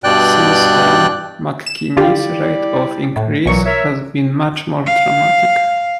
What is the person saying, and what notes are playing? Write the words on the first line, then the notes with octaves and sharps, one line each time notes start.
Since then, McKinney's rate of increase has been much more dramatic.
G2 B2 D5 G5 F#6
E7
D3 G3 E4 F4 G4 D5
A2
B1 A#2 E3 F#3 C#6
A#4 C#5 E5
F5